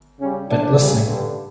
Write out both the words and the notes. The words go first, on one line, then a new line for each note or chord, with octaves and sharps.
But listening.
C#3 G3 C#4
A2 F3 D4
C#3 G3
G2 D3 G3